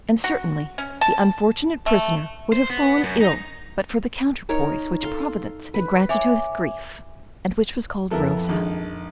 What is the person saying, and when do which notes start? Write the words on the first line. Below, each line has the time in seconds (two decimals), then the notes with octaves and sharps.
And certainly the unfortunate prisoner would have fallen ill but for the counterpoise which Providence had granted to his grief, and which was called Rosa.
0.24 F#4
0.78 C#4
1.01 A5
1.86 A3
2.52 C5
2.70 B3
3.03 F#2
3.21 D#4
4.49 D#4 A#4 C#5
5.02 A4 F5 C6
5.74 B4
6.09 C#5 E5 G#5 D6
8.11 F2 B3 E4 A4 A#4
8.49 A#1 D#3 G#3